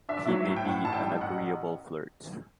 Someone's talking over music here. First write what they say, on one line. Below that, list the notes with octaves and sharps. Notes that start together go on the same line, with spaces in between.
He may be an agreeable flirt.
D4 E5
D5
F#3 E5
A2
G5
A2 F#5
A1 A5
G5
G3
A1 F#5